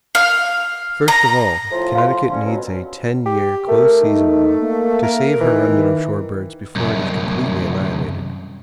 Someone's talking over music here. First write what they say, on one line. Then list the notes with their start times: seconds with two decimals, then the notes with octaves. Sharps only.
First of all, Connecticut needs a ten-year close season law to save her remnant of shore birds before it is completely annihilated.
0.15 F5
1.08 A#5
1.71 A2 F3 F4
1.95 F5 C6
2.32 F2 D3 C#4
2.45 B2 F#3
3.26 G4
3.69 A3 A#4
4.02 D#4
4.61 A#3
5.03 A#4
5.40 D#3 E3
6.76 C2 F#2